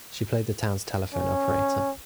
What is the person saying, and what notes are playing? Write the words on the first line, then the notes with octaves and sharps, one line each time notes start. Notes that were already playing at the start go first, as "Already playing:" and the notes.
She played the town's telephone operator.
C#4